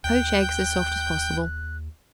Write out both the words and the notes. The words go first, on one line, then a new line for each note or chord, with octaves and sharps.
Poach eggs as soft as possible.
D#2 G5 F#6 G6